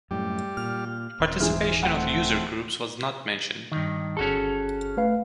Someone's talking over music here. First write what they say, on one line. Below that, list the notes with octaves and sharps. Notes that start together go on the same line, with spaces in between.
Participation of user groups was not mentioned.
F#2 A2 G3 G4
A#2 F6
D#1 C4
G#2 E3 G#4 F6
A3 C4 F#5 G5
G2 D#3
G1 C#4 F#4 G#4 A4
A3 B4 F5